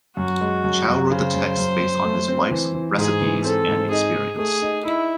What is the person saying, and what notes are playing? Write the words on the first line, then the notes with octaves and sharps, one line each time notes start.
Chao wrote the text based on his wife's recipes and experience.
F#2 F#4
G#3
F#2
F#2
C#3 C5
F#2
F#2
F#2
A3
C4
E3
E3
G#2 G#4
E3
C4 A4
G#2
D#4 G#4
D#4
A3 G#4
D#4
D#4 E4